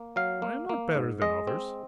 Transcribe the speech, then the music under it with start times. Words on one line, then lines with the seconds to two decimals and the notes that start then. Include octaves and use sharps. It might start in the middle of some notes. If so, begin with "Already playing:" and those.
I am not better than others.
Already playing: A#3
0.16 F#3 F5
0.42 A#3
0.69 A#3
0.95 G#2
1.22 G#3 D#5
1.47 C4